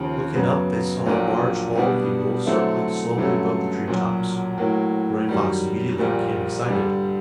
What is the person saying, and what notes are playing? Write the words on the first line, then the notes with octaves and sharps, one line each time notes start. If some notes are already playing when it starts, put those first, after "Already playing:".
Looking up they saw a large bald eagle circling slowly above the tree-tops. Running Fox immediately became excited.
Already playing: D#2 C#3 F3
F#2 C#3 F#3 B3
A#1 A#2 F#3 A#3 D4
B2 G3 B3 D4 F#4
D3 F#3 A3 C4 E4
G2 D3 F#3 A3 C#4
B1 A#2 F#3
A2 F#3 A#3
F#2 D#3 G3
A#1 A#2 G3 A#3
G2 D3 G3